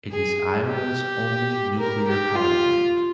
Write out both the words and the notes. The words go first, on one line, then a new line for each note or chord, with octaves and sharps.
It is Iowa's only nuclear power plant.
G#4
G4
A#4
G4
F4